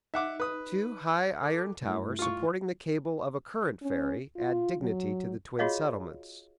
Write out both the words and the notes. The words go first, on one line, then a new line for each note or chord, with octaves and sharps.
Two high iron towers supporting the cable of a current ferry add dignity to the twin settlements.
D#4 E5 F#5 D6
B4 D#6
A4 D6
G2 A3 E4
F4 C#6
C#4
F4
F#3
F4 F#4 G#4 C#5 D#5 F5